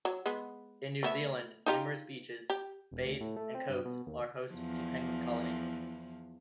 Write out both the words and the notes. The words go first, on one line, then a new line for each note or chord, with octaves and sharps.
In New Zealand numerous beaches, bays and coves are host to penguin colonies.
F#3
G#3 B3
A3 B3 E5
D#4 F4 G4
G4
E1
D2
A2
A3
C4
G2
B2
D#2
E2 F3